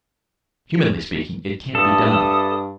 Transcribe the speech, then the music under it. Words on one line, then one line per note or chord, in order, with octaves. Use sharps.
Humanly speaking, it can't be done.
G2 A4 E5 F5 D#6